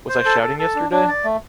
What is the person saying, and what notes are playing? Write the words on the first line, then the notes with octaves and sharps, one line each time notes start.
Was I shouting yesterday?
C5
A4
A4
A4
D4
D4
D5
A3